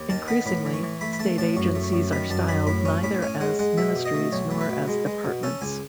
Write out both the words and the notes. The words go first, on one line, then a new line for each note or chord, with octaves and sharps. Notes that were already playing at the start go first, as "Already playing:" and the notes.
Increasingly, state agencies are styled neither as ministries nor as departments.
Already playing: D#2
D#3 A5
B3 B5
A2 B5
E3
C#6
E3
A3 B5
B5
A3 A5
A2 A5
F#2 C#6
A3
C#6
F#2
D#3 B5
F#2 A5
F#2 B5
A2 B5
C#4 C#6
A2 B5
C#4 G#5
G#3 F#5
G#3 F#5
B2 E5
B2
D#5
A3
B1 C#5
A3
B4
B2
G#3
G#3
B2
C#4 A4
C#2 G#5